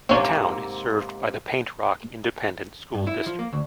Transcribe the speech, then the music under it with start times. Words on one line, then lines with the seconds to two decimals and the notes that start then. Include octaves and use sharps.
The town is served by the Paint Rock Independent School District.
0.09 G#2 C3 A#3 C4 C#4
2.95 G2
3.07 E4
3.26 F3
3.39 A#3
3.53 D2